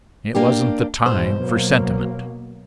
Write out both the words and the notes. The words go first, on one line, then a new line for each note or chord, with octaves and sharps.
"It wasn't the time for sentiment."
A#3 D4 G4
G#2 B2 E3 C5
B2 F#3 A#3